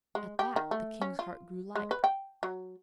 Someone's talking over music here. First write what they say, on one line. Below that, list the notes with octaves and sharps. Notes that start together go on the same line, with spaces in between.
At that the king's heart grew light.
G#3
G4
D#3
A3
C#4
F4
G#3
B4
G5
F#3